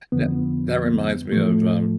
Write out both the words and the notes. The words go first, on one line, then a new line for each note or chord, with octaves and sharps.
Tha that reminds me of, um,
F2 D3 F3 B3
A2 F3 A3